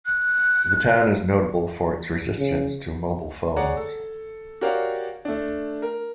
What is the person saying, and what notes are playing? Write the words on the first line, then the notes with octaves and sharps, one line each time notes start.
The town is notable for its resistance to mobile phones.
F#6
C#3
G#4 C#5 D5 F#5 A#5
A4
F#4 G4 A#4 C#5 D5 F5
A3 D4
A#4